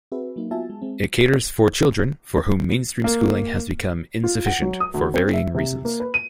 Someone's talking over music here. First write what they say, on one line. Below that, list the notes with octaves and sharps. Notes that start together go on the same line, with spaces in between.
It caters for children for whom mainstream schooling has become insufficient, for varying reasons.
C4 F#4 G#4 B4 E5
F#3 A#3 D#4
B3 F4 F#4 E5 G#5 A5
G#3
G#3 C4
A#3
F4
F#5
F#3
D#6
D2
C4
E5
C3
A#3
B4
D#7